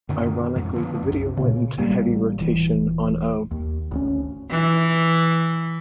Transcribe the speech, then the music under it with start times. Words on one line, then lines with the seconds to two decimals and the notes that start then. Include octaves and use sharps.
Ironically, the video went into heavy rotation on Oh!
0.09 F#2 D3 D#3
0.56 F2 G#2
0.73 D3 F3 B3
1.03 B1 F#2
1.37 A#2 C#3
1.78 A1 G3 A#3
2.38 D#1 E3
3.51 D#2
3.91 G#1 D2 C#4
4.50 E3